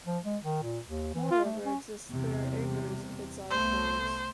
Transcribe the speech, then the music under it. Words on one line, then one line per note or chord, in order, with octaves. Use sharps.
Moreover, exists there aviaries with exotic birds.
F3
G#3
D#3
A#2
D#2
E3
F4
A3
C#4
E2 C3 G3
C2 A3 B3 C5